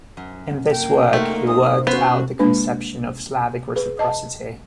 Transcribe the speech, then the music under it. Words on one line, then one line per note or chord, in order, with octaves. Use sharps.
In this work he worked out the conception of Slavic reciprocity.
F#2
A#3 G5
A3 D#4 F4 F#4
C3 D#6
B3 C#4 F#4 C5 E5 F#5 C6
G#3 A#3 D4 F4 B4
G#4 B4
D#5 A5